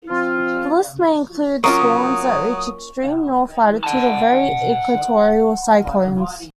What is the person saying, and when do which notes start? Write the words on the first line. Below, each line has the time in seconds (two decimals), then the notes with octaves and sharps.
This list may include storms that reach extreme north latitude, or very equatorial cyclones.
0.09 F3 C4 F4
1.64 F#3 A#3 C#4 F4 C#6 D#6
3.84 F#5 A5